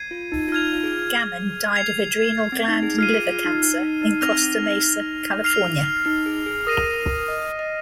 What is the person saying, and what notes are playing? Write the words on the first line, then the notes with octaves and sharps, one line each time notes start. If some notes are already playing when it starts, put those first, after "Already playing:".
Gammon died of adrenal gland and liver cancer in Costa Mesa, California.
Already playing: G#6 C7 D#7
F4
D#4
F4
D#4 F6 G#6 F7
F4
G#4
G#6 C7 F7
C4
D#4
G#4
F4 F6 C7 D#7
G#4
F4
D#4
D#4
D#4
D#4
C4 F6 A#6 F7
D#4
C4
D#4
F6 C7 F7
D#4
G#4
G#4
A#4 D#6 A#6 D#7
D#5
D#5
D#5